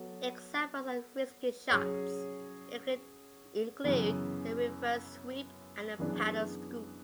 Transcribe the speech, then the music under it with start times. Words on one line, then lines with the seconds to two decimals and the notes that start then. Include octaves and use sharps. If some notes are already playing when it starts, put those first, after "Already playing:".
Examples of risky shots include the reverse sweep and the paddle-scoop.
Already playing: F#3 B3 F#4 A4
1.70 F#3 C#4 G#4 C#5
3.84 F#2 C#3 E3 B3
5.99 F#2 E3 B3 D4 G#4